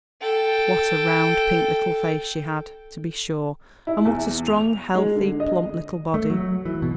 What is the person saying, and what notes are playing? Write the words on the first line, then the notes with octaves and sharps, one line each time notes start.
What a round, pink little face she had, to be sure, and what a strong, healthy, plump little body.
A4 G5
E4
E2
F7
G#3
D3
D#5
A3
F#3
E3
B2